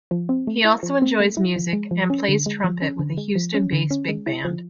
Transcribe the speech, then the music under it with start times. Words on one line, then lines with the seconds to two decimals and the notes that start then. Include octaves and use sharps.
He also enjoys music, and plays trumpet with a Houston-based big band.
0.11 F3
0.29 C4
0.47 A3
0.65 E4
0.83 F3
1.02 C4
1.20 A3
1.37 E4
1.56 F3
1.73 G#3
1.91 F3
2.10 C#4
2.28 D3
2.46 G#3
2.64 F3
2.82 C#4
2.99 D3
3.17 G#3
3.36 F3
3.54 C#4
3.73 D3
3.91 C#4
4.08 G#3
4.26 E4
4.45 F3